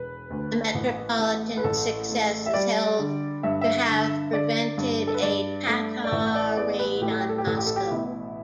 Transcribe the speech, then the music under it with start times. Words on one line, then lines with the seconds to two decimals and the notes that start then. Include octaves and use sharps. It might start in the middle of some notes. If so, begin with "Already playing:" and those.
The metropolitan's success is held to have prevented a Tatar raid on Moscow.
Already playing: E1 B4
0.30 D2
0.75 A1
1.19 A3
1.57 B4
1.64 A1 A4
2.09 A3
2.46 E5
2.54 G3 D5
2.99 D3
3.43 G2 E5
3.61 E5
3.88 D3
4.33 D3 D5
4.78 G2
5.07 A4
5.14 B4
5.22 G2 D5
5.67 A3
6.05 D5
6.12 A1 E5
6.35 D5
6.57 B3 D5
6.79 B4
7.01 A2 G4
7.11 A4
7.19 G4
7.29 A4
7.38 G4
7.46 A1 A4
7.58 G4
7.66 A4
7.76 G4
7.91 B2 E4